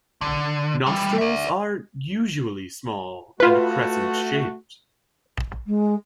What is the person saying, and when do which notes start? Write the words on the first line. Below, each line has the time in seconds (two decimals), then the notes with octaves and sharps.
Nostrils are usually small and crescent shaped.
0.21 D3
0.86 E3 G3
1.18 D5 E5
3.40 A3 F4 F#4 B4
5.67 G#3